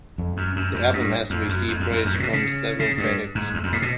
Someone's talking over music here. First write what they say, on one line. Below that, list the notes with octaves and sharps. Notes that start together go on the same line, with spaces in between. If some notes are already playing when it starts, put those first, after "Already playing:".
The album has received praise from several critics.
F2
F#2
F#2
F#2
G2
F2
F#2
F2
F2
F2
F#2
A2
A#2
B2
C#3
C#3
G2
G#2
E2
F2
A2
B2